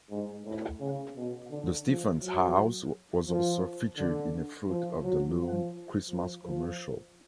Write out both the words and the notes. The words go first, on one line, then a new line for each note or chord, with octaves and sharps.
The Stephens house was also featured in a Fruit of the Loom Christmas commercial.
G#2
A2
C#3
B2
D3
F3
F#3
F3
D3
F3
F#3
F3
F3
F3